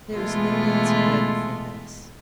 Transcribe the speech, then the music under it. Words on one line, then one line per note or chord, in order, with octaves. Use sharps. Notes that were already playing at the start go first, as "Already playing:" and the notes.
There was no answer ready for this.
B2 E3 G#3 A3 F4